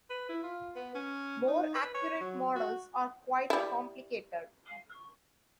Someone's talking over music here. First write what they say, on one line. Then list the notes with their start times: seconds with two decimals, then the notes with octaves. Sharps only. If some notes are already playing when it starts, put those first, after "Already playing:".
More accurate models are quite complicated.
0.10 B4
0.29 E4
0.43 F4
0.76 B3
0.95 C#4
1.47 D#4
1.75 B4
1.94 C#5
2.21 F#3
2.55 F#4
3.50 G3 E4